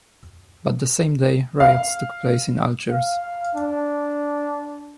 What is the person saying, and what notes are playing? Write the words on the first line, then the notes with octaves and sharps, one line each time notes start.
But the same day, riots took place in Algiers.
F5
F5
D4